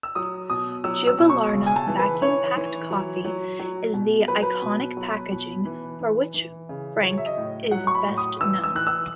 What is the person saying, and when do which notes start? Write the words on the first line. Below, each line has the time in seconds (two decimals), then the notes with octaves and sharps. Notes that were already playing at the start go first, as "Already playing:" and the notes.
Jubilarna vacuum-packed coffee is the iconic packaging for which Franck is best known.
0.03 E6
0.15 F#3 D#6
0.50 B2 D#6
0.84 F#3 E6
1.07 E6
1.19 B2
1.30 C#6
1.53 C#3
1.66 G#5
1.76 A5
1.87 E3
1.99 B4
2.22 E3 C#5
2.56 E3
2.90 F#3
3.25 F#3
3.60 F#3
3.94 B2
4.28 F#3 B4
4.43 B4
4.62 B2
4.97 F#3
5.32 B2
5.65 E3
6.00 E3
6.34 E3
6.69 C#3
7.03 F#3 C#5
7.18 E5
7.26 D#5
7.37 A2
7.71 F#3 F#5
7.87 C#6
7.95 B5
8.06 A2
8.18 D#6
8.41 E3 E6
8.64 E6
8.75 E3 F#6
8.87 E6